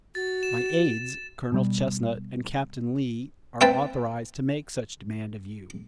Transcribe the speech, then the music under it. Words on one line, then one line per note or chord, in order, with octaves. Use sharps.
My aides, Colonel Chesnut and Captain Lee, are authorized to make such demand of you.
F#4 A6
E7
B2 G3
C4 B4 E5 G5 A5